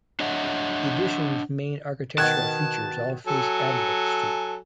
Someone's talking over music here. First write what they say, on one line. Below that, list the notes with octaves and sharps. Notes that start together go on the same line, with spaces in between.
The addition's main architectural features all face Adelaide Street.
D4 C#5 D#5 E5 F#5
B2 D#3 A5 F#6 G#6
F#3 A4 G#5